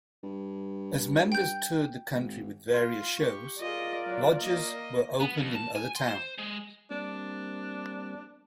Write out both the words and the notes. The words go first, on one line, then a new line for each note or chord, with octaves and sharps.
As members toured the country with various shows, lodges were opened in other towns.
G2
G5 G6
G#1
F4
G4 C#6
F4 G#4 A#4 D5 D#5
F#3
A#3 D#5
B3
F2
A5
G#5
C6
C5
G#3
G3 A#3 C4 D4